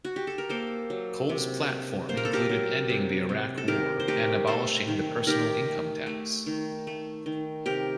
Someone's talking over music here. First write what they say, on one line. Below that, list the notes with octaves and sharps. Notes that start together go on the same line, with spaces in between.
Cole's platform included ending the Iraq War and abolishing the personal income tax.
F#4
G4
A4
A#4
A#3 A4 C5
F#3
C3
C3
A#3 C5
A#4
A4
G4 A#4
F#3
C3
C3
A4
D#3 G4 A#4
C5
A3 G4 A#4
A3 A4 C5
D#3
D#3 G4 A#4
A3
A3
D#3
A3
D#3
C3 G4 A#4